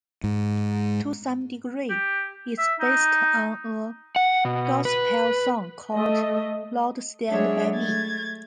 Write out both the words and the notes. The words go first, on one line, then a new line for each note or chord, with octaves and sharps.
To some degree, it's based on a gospel song called "Lord Stand By Me".
G#2
G4
E5
D#4
F#5
B2
B4
A3 D#5
F#3 G#3 D4 G#4 C#5 E5
A3 G#6 A6